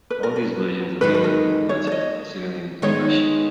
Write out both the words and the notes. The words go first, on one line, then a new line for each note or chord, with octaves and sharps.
All these versions are available for purchase by civilians in Russia.
B4
A#4
B4
E2 D#3 G#3 D#4 B4
B4
A#4
C#5
C#5
D#5
D#3 G#3 B3 D#4 C#5